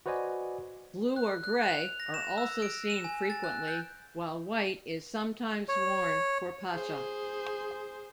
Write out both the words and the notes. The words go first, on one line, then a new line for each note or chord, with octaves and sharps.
Blue or grey are also seen frequently, while white is sometimes worn for Pascha.
F#4 B4 C5 D5 D#5 G#5
F#6
F#6
F7
A#6
E7
E6
D7
E7
G#5
A6
F#6
G6
C#5
G#4 C5